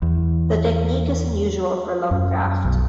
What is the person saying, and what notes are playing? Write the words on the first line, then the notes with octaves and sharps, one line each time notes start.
The technique is unusual for Lovecraft.
E2
F#2
B1